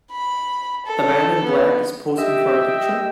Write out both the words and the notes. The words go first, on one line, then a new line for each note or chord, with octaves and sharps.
The man in black is posing for a picture.
B5
A4
B3
G4 D#5 E5 G5 E6